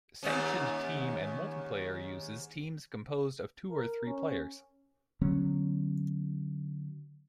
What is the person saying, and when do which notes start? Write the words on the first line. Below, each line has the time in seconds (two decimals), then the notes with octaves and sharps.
Sanctioned team and multiplayer uses teams composed of two or three players.
0.23 D#2 G#2 C#4
3.71 A#4
4.06 C#4
5.21 D3 F#3 B3 C#4